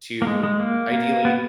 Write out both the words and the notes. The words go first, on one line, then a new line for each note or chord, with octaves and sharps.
to ideally
A#3
G#3
G#3
A#3
A#3
B3